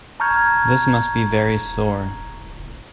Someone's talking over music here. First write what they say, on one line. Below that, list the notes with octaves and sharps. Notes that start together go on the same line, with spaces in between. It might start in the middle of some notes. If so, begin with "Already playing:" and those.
This must be very sore.
A5 A#5 C#6 F6 G6 G#6